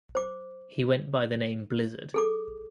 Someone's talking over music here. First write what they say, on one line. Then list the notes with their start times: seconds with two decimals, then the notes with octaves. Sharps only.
He went by the name Blizzard.
0.15 C5 D6
2.14 G#4 A4 D6